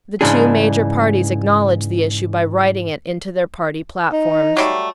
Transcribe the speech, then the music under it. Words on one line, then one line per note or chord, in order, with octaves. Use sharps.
The two major parties acknowledged the issue by writing it into their party platforms.
G#2 C#3 E3 D4 G#4
D#4
F#3 G3 A3